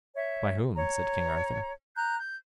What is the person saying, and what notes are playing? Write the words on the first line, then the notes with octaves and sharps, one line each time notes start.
By whom? said King Arthur.
C#5 E5
C#5 A#5
A#5 F#6 G6
G6